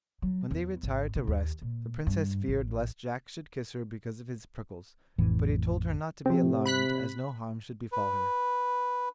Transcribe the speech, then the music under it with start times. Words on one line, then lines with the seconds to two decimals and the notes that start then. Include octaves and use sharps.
When they retired to rest the Princess feared lest Jack should kiss her because of his prickles, but he told her not to be alarmed as no harm should befall her.
0.22 F#3
0.51 E2
0.83 G#1
1.15 C#3
1.27 D#2
1.62 A#2
2.07 G2
2.48 A1
5.18 A1 F2 A2 E3
6.26 C3 F3 C4
6.66 B5 F#6 B6
7.92 B4